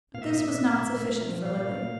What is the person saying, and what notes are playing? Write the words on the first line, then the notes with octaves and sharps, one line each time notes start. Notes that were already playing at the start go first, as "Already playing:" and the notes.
But this was not sufficient for Lily.
A#2 F5
E5
D#5
A#2 E5
A#2
A#2
A#2
F3
A#2 F5
A#2